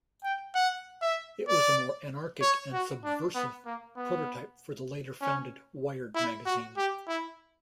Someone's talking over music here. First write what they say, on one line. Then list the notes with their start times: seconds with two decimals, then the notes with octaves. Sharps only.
It was a more anarchic and subversive prototype for the later-founded "Wired" magazine.
0.24 G5
0.55 F#5
1.02 E5
1.48 D5
2.42 C#5
2.73 F#4
3.04 D4
3.35 B3
3.66 A#3
3.97 B3
5.22 C#4
6.15 E4
6.46 F#4
6.77 G4
7.08 E4